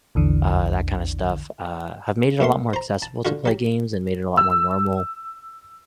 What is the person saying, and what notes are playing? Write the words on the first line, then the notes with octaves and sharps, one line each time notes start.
uh, that kind of stuff, uh, have made it a lot more accessible to play games, and made it a lot more normal,
A#1 E2 D3
F#2 A#2 A3 C6
C5 A#5
A5
D3 F4 F#4
F#3 G4
E6